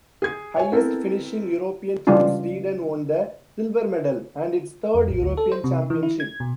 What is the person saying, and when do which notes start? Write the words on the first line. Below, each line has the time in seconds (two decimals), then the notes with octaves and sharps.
Highest finishing European team Sweden won the silver medal and its third European Championship.
0.22 G#4 G#6
0.56 C#5 G#5
0.72 B3 C4 E4 A4 A#4
2.07 C#3 E3 G3 G#3 D4 F4
4.95 F2
5.09 A1
5.22 D2
5.37 A4
5.52 C5
5.64 C3
5.90 E3
6.03 E4
6.20 G#6
6.40 B2